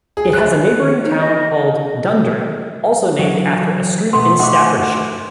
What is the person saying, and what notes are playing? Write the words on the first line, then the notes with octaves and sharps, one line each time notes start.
It has a neighbouring town called Dundurn, also named after a street in Staffordshire.
G#4
F#6
D#4
D#5
E3 F#3
B2 A3 B3 C6
A3 D#4 F#4 F#5 C6 D6